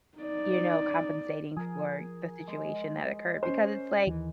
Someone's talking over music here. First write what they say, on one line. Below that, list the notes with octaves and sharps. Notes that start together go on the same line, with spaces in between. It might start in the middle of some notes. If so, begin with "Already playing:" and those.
you know, compensating for the situation that occurred, because it's, like
D#4 D5
F3 G#4 A#4
G#3 D6
C#4 C5
D#2 E3